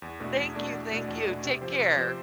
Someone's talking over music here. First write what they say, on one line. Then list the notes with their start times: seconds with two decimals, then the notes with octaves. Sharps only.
Thank you, thank you, take care.
0.02 E2
0.20 B2 A3 D4
0.38 E2
0.55 B2 A3 D4
0.73 E2
0.91 B2 A3 D4
1.08 E2
1.25 B2 A3 D4
1.44 C3
1.61 F3 C4 G4 C5
1.79 C3
1.96 F3 C4 G4 C5